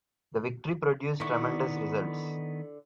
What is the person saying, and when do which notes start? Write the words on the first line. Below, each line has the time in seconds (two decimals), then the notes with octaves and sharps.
The victory produced tremendous results.
1.20 D3 D#3 B3 E4 C#6